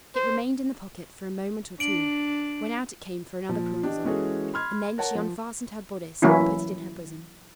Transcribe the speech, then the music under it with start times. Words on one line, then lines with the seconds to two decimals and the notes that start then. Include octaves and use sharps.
It remained in the pocket for a moment or two, when out it came for another perusal, and then she unfastened her bodice and put it in her bosom.
0.16 C5
1.80 D4 D7 F#7
3.49 A#2 F3
3.83 D4 G4 D#5
4.04 E3 G#3 C#4 F#4 G#4 A4
4.54 B5 C6 F6 G#6
4.98 A#4 C#5 F#5 A5
5.15 F3
6.22 E3 F#3 A#3 C#4 E4